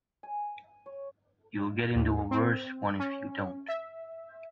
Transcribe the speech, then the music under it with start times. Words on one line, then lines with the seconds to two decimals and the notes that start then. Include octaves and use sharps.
You'll get into a worse one if you don't.
0.23 G#5
0.86 C#5
1.96 D#2
2.31 C4
3.00 C#4
3.68 E5